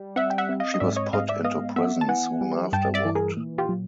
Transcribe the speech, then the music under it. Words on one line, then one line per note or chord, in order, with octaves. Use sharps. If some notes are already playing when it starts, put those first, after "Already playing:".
She was put into prison soon afterward.
Already playing: G3
C4 E5 F#5
G5
E5 F#5
C4
D#5 F5
D#5
G#2 D5 E5
C#5 D#5
G#2 D#5 F5
D5 E5
B3 D#5 F5
B3 E5 F#5
A5
E3 F#5 G#5
G3
G2 G5 A5
D5 E5
E3
G#4 A#4
A#2
F4 G4
F#3